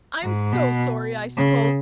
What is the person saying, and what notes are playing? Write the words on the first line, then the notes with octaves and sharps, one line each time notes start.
I'm so sorry I spoke.
G#2
B2
C#3